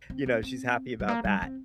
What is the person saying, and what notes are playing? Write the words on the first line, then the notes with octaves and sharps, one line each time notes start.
you know, she's happy about that.
C4
C4
C4
G3
A#3
G3
C4